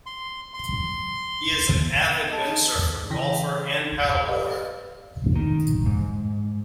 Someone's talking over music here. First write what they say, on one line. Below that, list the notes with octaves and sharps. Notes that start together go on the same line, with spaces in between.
He is an avid windsurfer, golfer and paddleboarder.
C6
C6
D#5 A5
C#3 E3 G5 A#6 B6
G4 B4 D5 D#5 F5
D#3
G#2